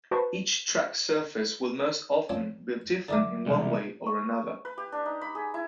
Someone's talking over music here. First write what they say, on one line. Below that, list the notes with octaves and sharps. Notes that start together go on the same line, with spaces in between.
Each track surface will most often be different in one way or another.
F#4 B4 C5 A5 C#6
F3 C4 C#4
D3 D#3 F#3 A3 E5 D6
C2 B2 E3 G#3
C#6
B4
G4
D4
D#4
B5
G#4
E4